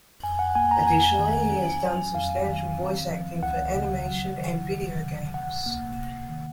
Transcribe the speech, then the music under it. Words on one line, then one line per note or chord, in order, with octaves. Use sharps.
Additionally, he has done substantial voice acting for animation and video games.
F2 G#5
F#5
A#3 G#5
A#5
F2 G#5
D#3
C#4
F#3
F2 F5
D#3
C4
F3
C#2 F#5
C#3
F#3
D#3
C#2
C3
C3 F#5
A#3
C3
D#3